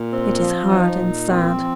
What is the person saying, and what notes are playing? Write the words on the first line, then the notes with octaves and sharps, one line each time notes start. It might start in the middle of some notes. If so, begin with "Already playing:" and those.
It is hard and sad.
Already playing: A#2
C4
F3
D#4
A#2
C4
F3